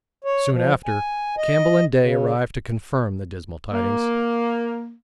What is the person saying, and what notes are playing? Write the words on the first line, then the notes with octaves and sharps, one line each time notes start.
Soon after Campbell and Day arrived to confirm the dismal tidings.
C#5
F3
G#5
D#5
C#3
A#3